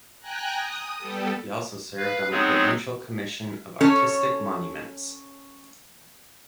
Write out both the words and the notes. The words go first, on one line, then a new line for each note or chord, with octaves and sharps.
He also served on the Provincial Commission of Artistic Monuments.
G5 G#5 A#5 F#6
D#6
G3 B3 G4 A4
B4 F5
F#3 G#3 B3 C4 D#4 G#4
C#4 A4 C#5